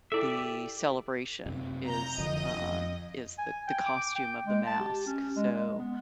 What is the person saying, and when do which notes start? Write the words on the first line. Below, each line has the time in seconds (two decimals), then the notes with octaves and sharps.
the celebration, is, um, is the the costume of the mask, so,
0.12 E4 G4 A4 D5 E5
1.46 F#2 C3
1.86 A#5 G6
2.18 F1 D3 F3 D#5
2.54 F2
3.38 G#5
3.67 G5
3.86 D6
4.15 G5
4.47 G#3
4.66 A5
4.80 G4
5.06 C#4
5.36 G#3
5.52 G#3
5.79 B3